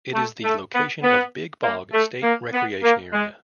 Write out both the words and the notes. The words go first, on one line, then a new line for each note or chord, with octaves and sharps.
It is the location of Big Bog State Recreation Area.
A3
A3
B3
B3
A#3
A3
A#3
B3
A#3
G#3